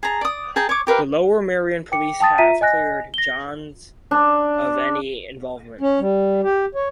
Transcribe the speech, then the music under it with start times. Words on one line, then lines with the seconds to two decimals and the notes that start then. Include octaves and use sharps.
The Lower Merion police have cleared Johns of any involvement.
0.03 G#4 A5 A#5
0.21 D5 D#6
0.56 G#4 G5 A5 A#5
0.69 C#5 C#6 D6
0.87 G4 A#4 B4 F5
1.92 G5 D6 C#7
2.20 G5 A5 D#6 A6
2.38 F4 E5 A#5 B6 D#7
2.61 D#5 G#5 F#6 A#6
3.14 A#6 G7
4.11 D4
5.81 C#4
6.00 G3
6.43 G4
6.75 C#5